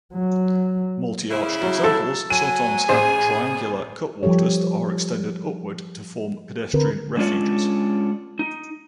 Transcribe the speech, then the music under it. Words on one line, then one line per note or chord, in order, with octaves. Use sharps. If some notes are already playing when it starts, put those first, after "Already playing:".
Multi-arched examples sometimes have triangular cutwaters that are extended upwards to form pedestrian refuges.
F#3
C#3 E4
F#3
A4
F#3 G#5 D#7
A1 G#4 C5
F3 G3 G4 A4 C#5
D3 C4 A#4 B4
G#3 C#4 D4 F4 C#5 D5
D#4